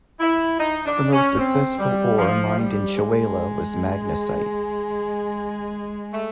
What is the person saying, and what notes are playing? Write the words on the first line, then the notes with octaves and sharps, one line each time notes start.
The most successful ore mined in Chewelah was magnesite.
E4
D#4
D4
C#4
C4
G3
F3
G3
G#3
A3